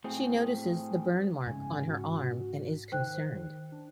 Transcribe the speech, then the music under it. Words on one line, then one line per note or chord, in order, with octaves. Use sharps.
She notices the burn mark on her arm and is concerned.
A2 C4 G#4
G#2 C#3 G#5
F#4
D#3 C5 G5 F#6
D4